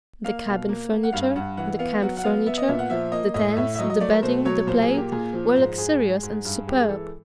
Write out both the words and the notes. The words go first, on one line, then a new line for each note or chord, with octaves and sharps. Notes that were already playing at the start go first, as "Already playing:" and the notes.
The cabin furniture, the camp furniture, the tents, the bedding, the plate, were luxurious and superb.
A#3 F5
B2 F5
A#3
A#3
F#5
G2 F5
G2 F#5
E3 F#5
B3 F5
F#3 F#5
F#5
B3 F5
B3 E5
D#5
A#2 E5
F#5
F3 E5
A#3 D#5
A2 D#5
A2 E5
E5
F#3 D#5
D#5
A3 D5
A#4
B2 C5
F#3 C#5
A#2 C5
G#4
A#3
G4
A#2 G#4
F3
G#2 C5
G#2 G#4
G#3
G#2
G2
G#3 G4
G#4
E3 A4